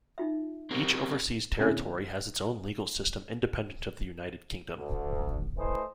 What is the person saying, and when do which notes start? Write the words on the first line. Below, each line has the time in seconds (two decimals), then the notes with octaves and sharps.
Each overseas territory has its own legal system independent of the United Kingdom.
0.18 D#4 F4 E5
0.71 C4 G4 A#4
1.59 A#2 D3 C4 C#4 E4 G#4
4.75 D2
5.57 A3 E4 B4 C5 D#5 G#5